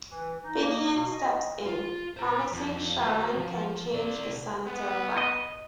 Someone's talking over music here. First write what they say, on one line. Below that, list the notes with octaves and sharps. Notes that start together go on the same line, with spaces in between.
Finian steps in, promising Sharon can change the Senator back.
E3
D#4
A#3
B2
D#5
F4
C5 A#5
F2
F#4 C5
F3
C3 D5
B3
D#5